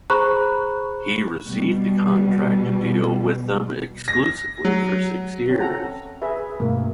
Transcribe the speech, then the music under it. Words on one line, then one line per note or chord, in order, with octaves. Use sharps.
He received a contract to deal with them exclusively for six years.
G#4 C5 A#5 B5 C#6 F#6
B2 G3
A#6
F#3
C4 C#4
A4 F#5 A#5
G#4 B4 E5
G2 B2 A3 A#3